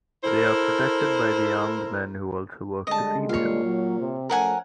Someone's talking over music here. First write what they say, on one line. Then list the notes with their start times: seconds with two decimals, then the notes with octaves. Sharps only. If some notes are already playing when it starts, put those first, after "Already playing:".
They are protected by the armed men who also work to feed him.
0.24 E4 A4 A#4 C5
2.87 D3 G3 G#3 D#5 A5
3.29 A#2 C#5 F5
3.64 F#3
3.98 C3
4.30 F3 A3 C#4 A#4 F#5 G#5